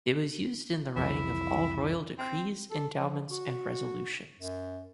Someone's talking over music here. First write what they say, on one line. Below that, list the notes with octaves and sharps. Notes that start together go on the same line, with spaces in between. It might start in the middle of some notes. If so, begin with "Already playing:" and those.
It was used in the writing of all royal decrees, endowments, and resolutions.
C2 F2 E3 E4
C4
A4
F3
F#4
F#2